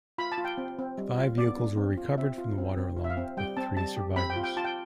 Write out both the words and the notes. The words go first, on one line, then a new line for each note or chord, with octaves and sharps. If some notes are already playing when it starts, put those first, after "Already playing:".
Five vehicles were recovered from the water along with three survivors.
F4 B5
A5
F4
G5
C4
C4
G3
F4
B3 D5
D4
C4
F4
C4 E5
F4
C4
C4
F4
E5
F5
C4
G3 G5
C4 A5
G3 A5
G4
C4 B5
G5
F4
G5
F4 A5
G5